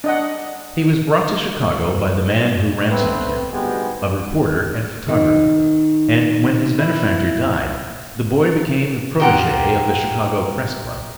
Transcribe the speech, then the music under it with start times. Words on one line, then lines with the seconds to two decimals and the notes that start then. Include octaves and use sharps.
He was brought to Chicago by the man who ransomed him, a reporter and photographer, and when his benefactor died, the boy became the protege of the Chicago Press Club.
0.04 D4 D#5 F#5
2.90 A3 B3 C4 D4 B4
3.52 D2 G#2 G3 G#3 B3 G4
5.08 D#3
6.79 E4
9.20 A#2 G4 F#5